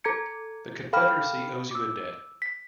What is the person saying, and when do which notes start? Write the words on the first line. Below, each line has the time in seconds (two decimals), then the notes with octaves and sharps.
The Confederacy owes you a debt.
0.04 A4 A#5 G#6 C#7
0.93 A4 F5 G5 B5 F6
1.71 D6 E6
2.42 B6